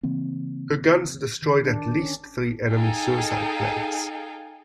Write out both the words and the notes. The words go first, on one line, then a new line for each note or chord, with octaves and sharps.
Her guns destroyed at least three enemy suicide planes.
C#3 E3 A#3 C4
D#3
D4
C#4
D#4 G#4 A4 F5 G5 G#5